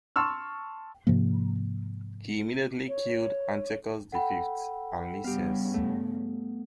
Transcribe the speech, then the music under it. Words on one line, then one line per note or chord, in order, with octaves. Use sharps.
He immediately killed Antiochus the Fifth and Lysias.
A5 C6 C#6 E6 F6
G#2 C3 F3 A#3
C#5
A4 F#5 G5 B5
G2 C#3 B3 G4 F5
A3